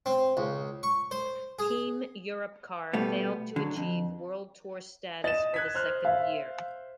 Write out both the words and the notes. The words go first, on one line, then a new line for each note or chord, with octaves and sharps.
Team Europcar failed to achieve World Tour status for the second year.
C4
C#2
C#6
C5
G#4
B2 G3 A3 B3
D3 F#3
F2
D#5 A6 E7
F#6 G#6 B6
C5 F6 F#6
E5 F5